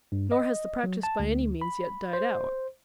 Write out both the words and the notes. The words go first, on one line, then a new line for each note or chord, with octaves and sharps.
Nor has the practice by any means yet died out.
G2
D#5
F#3
A5
D2
B5
C5